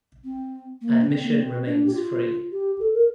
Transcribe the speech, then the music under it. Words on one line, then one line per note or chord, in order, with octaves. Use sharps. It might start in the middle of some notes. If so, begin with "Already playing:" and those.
Admission remains free.
C4
A#3
D4
C4
A#3
C4
D4
G4
F4
G4
A4
A#4